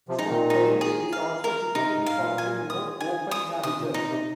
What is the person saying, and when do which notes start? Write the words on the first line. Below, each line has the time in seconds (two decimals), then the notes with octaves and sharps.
Fork-tailed is also typically found in more open habitat.
0.08 C3 F3
0.19 D#4
0.29 A#2 D#3
0.50 D#4
0.81 G#4
1.12 F5
1.44 A#4
1.75 C3 D#4
1.96 G#2
2.06 F5
2.17 A#2
2.38 G#5
2.70 D#6
3.01 G#5
3.31 D#6
3.63 C3 D#6
3.79 A#2
3.94 A#2 D#4
4.10 C3